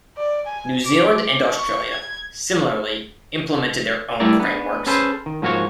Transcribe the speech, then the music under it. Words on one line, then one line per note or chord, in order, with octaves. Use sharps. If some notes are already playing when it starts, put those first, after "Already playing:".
New Zealand and Australia, similarly, implemented their own frameworks.
D5
G#5
D6
D6
C#6
G#6
G3 A3 B3 E4 A#4 D5
B3 D4
C#4 G#4 A4 B4 C5
D#3
G#2 F3 A#3 F#4 A#4 C#5